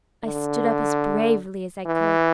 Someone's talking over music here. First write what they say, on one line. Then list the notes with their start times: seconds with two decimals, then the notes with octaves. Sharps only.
I stood up as bravely as I could.
0.23 D3
1.86 E3